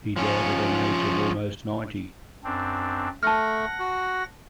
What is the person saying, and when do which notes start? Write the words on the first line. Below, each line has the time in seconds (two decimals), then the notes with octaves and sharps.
He died at an age of almost ninety.
0.16 F3 C#4
2.44 F#2 C4 D4
3.23 A3 F#5 A5 F6 A#6
3.79 F#4